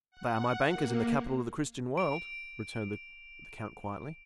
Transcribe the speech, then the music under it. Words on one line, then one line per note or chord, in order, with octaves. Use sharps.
"They are my bankers in the capital of the Christian world," returned the count quietly.
F#5
A#3
D7 F7